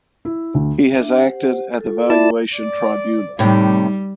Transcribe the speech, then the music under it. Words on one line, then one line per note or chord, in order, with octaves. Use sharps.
He has acted at the Valuation Tribunal.
E4
D2
D4 E5
G4 C5 F#5
F4 A4
E4 D5 A5
D5
A2 C3 D#3 G3